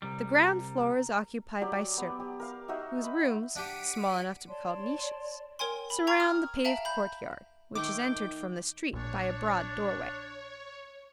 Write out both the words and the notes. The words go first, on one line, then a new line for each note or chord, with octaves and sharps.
The ground floor is occupied by servants, whose rooms--small enough to be called niches--surround the paved court-yard, which is entered from the street by a broad doorway.
C2 G3 A#5
F#3 G4 D5
B3
G4
A#4 F5
D#4 F#4 E5
B5
D4 G4 F#5 B6 D7 D#7
C#5 D5 A5 C6
A#4 C#5 G5 G#5 C6
B5
G5 A#5 C#6 G#6
D#6 F6
E5 F5 G5 A5 A#5 F#7
B5 G6
D#3 A3 D#4 G5 C#6 D6
A#1 A#2 D4 C#5